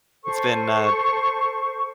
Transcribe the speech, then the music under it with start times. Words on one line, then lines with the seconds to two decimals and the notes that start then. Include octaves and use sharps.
It's been, uh
0.23 A4 C5 C#6